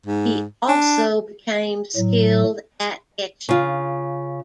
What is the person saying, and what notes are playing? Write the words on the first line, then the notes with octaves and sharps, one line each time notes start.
He also became skilled at etching.
G#2
D4
A2 F#3
C#3 F4